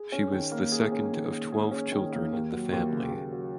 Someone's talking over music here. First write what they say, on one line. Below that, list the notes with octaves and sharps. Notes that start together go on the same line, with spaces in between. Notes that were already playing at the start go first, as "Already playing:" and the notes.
She was the second of twelve children in the family.
Already playing: G#4
C#4
D#3
A#3
G#4
C#4
D#3
A#3
G#4
C#4
D#3
A#3
D#2
F#3
D#2
C#3
D#2
F#3